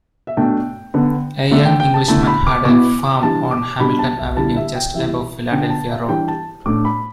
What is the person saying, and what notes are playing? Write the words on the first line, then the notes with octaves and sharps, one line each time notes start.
A young Englishman had a farm on Hamilton Avenue just above Philadelphia Road.
E5
B2 A3 D4 G5
D3 B3 D4
D3 A3 D4 E5
G5
G5
A5
D3 A3 E4 A5
B5
D6
B2 B3 E4 D6
E3 G3 D4 A5
D6
B2 G3 D4 B5
A5
E5
D3 G3 E4 A5
E5
G5
E3 G3 E4 E5
D3 B3 D4 G5
A5
E5
E3 G3 D4 G5
A5
A2 A3 D4 D6
B5